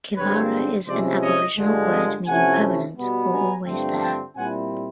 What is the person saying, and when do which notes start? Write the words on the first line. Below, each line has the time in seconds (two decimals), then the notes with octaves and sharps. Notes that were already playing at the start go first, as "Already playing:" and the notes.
Killara is an Aboriginal word meaning "permanent" or "always there".
0.17 G2 D3 F3 G#3 C4 B4 C#5
0.87 C3 F3 G#3 C#4 E4 C5 D5
1.22 C#5 D#5
1.57 G2 D3 F3 G#3
1.92 D#5 F5
2.27 C3 F3 A3 C#4 E4 F#5 G#5
2.96 B2 G3 B3
3.31 G#5 A#5
3.66 G2 D3 F3 A3 C4
4.01 G5 A5
4.36 A#2 G3 C4 E4 F#5 G#5